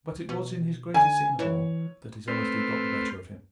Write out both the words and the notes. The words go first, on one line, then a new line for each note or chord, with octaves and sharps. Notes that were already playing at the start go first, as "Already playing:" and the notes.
But it was in his greatest scene of all, that his honesty got the better of him.
B2
D3 G#5
E3 C#5
A3 C4 B4 C6 F6